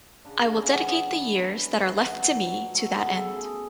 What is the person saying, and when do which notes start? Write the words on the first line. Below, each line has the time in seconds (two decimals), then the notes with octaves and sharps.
I will dedicate the years that are left to me to that end.
0.25 C#3 D4
0.46 D4
0.52 E3
0.59 C#4
0.66 B3
0.80 E3
0.87 B3
1.07 E3
1.36 E3
1.63 E3
1.91 F#3
2.18 F#3
2.47 F#3
2.74 F#3 A3
2.95 B3
3.02 C#3
3.16 A4
3.29 C#3
3.37 G#4